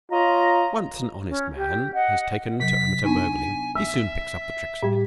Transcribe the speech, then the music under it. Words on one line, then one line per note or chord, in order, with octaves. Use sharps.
Once an honest man has taken to amateur burgling he soon picks up the tricks of it.
F4 C#5 D#5 A#5
C#4
G4
D#5 F#5
C3 F#3 B6
B3 D4 D#4 G#5
E5 E6
A2 G3 G4